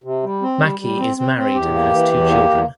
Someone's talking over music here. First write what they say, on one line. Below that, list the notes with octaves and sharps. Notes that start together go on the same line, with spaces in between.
Mackie is married and has two children.
C3
G3
C4
G3
G3
C4
C4
C4
E2 G4
A#3
E3
E2
A#3
E2